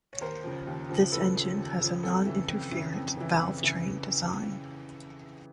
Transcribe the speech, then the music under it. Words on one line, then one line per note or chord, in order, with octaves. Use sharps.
This engine has a non-interference valvetrain design.
C#5
D#2 A#4 C5
C#3 F3
D#2
C#3 F3
D#2 A4 B4
C#3 F3
D#2
C#3 F3
F2 A4
C#3 E3
F2
C#3 E3
F2
C#3 E3
F2
C#3 E3